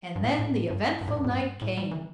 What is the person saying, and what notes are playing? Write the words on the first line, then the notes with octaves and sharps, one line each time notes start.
And then the eventful night came.
G2
A2
A2
G2
G2
A2
G2
A2
G2
A2
G3
E3